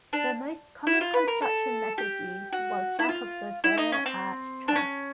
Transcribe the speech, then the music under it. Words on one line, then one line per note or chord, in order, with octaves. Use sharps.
The most common construction method used was that of the Burr arch truss.
D4
E4
F4
B4
A#4
A4
G4
F#4
E4
F4
E4
D#4
C#4
C4
D4
C#4